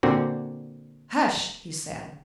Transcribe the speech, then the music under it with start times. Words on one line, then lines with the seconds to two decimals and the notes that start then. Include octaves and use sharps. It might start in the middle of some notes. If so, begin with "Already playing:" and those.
"Hush!" he said.
0.03 A#2 D3 C4 F#4